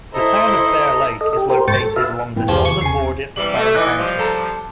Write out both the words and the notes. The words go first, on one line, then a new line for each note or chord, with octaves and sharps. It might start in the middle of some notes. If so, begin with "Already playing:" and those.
The town of Bear Lake is located along the northern border of Barron County.
E4 A4 C5 D#5 A#5
A4 D#5
G4
G4 A#4 C5
G#2 C5 G5 C#6 A6
A4
F#4 B4 E5 F5 A5
E3 G5
E2 G2 F3 F4 G4 G#4
C3 D#3 C#6
D#2 C3 C#4 G#5 C7
C3 E3 G3 F#7
A3
E3 D#4 D#5 D6 F#6
F3 G3
A4 A#5 E7